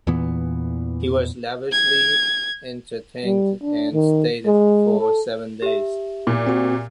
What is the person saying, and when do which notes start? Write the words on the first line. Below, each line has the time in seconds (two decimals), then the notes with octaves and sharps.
He was lavishly entertained and stayed for seven days.
0.07 E2 A#2 E3 B3
1.72 G#6
3.25 G3
3.63 D4
3.93 D#3
4.46 G#3
5.00 A4
5.62 G4 E5
6.27 A#2
6.46 C4 F#4